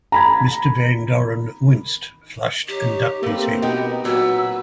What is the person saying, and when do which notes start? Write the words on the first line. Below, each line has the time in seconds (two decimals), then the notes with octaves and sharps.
Mr. Van Doren winced, flushed, and ducked his head.
0.12 A#5 B5 G#6
2.68 D#4 G4 C#5
3.23 A3 A#3 C4 A#4 B4
3.62 B2 B3 D#4 G4
4.05 A#2 F#3 F#4 B4 E6